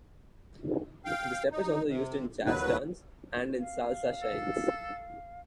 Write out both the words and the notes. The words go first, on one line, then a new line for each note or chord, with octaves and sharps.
The step is also used in jazz dance, and in Salsa shines.
F5 G5
D#4
C3
D#2 F#3 B4
F5
A4